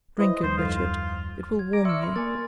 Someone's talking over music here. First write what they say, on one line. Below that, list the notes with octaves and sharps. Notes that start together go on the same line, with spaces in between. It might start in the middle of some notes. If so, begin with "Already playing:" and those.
"Drink it, Richard, it will warm you."
E4 B4 C5 D#5
D#2 F3 G3 D#4 C5
F#2 F4 A4
G#6
A#5 D6
D5 E5 C6 C#6 F6
B5 C6 F6
A#3 G#5 D6 A6